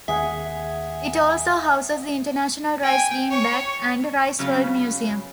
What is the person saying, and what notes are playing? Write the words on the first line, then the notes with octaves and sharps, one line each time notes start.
It also houses the International Rice Genebank and Riceworld Museum.
D#2 D#3 G#4 E5 F#5 G#5
G5 G#5
C#5 C#6
C#3 F#3 B3 C#4 F4 B4